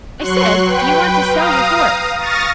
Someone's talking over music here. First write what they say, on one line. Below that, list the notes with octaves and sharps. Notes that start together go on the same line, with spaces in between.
"I said, do you want to sell your horse?"
F#3 C6 C#6 F#6
B4 G5
F5 A#5 D#6
C#6 D#6 F6 A6 A#6